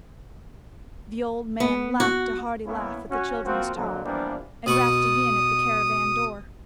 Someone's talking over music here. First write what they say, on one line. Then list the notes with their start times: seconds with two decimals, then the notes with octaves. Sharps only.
The old man laughed a hearty laugh at the children's talk, and rapped again at the caravan door.
1.60 B3
2.00 F#4
2.66 A#3 B3 C#4 E4
3.11 C#4 F#4
3.45 F3 A#3 C4 F4 F#4
3.75 F2 A#2 D3 F#3
4.04 E3 F3 G3 A#3 B3 D4
4.66 B2 B5 C#6 D#6